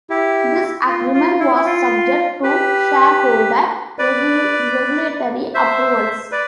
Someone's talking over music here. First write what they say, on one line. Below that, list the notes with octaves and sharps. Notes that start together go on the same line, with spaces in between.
This agreement was subject to shareholder regulatory approvals.
E4 G4
F4
F4
E4
E4
F4
G4 B4
B4 D5
C5 E5
B4 D5